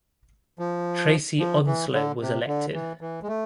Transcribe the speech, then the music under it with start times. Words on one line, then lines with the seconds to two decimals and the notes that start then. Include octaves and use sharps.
Tracey Onslow was elected.
0.59 F3
1.39 F3
1.66 E3
1.93 D3
2.21 C3
2.47 D3
2.74 E3
3.01 E3
3.23 G#3
3.28 A3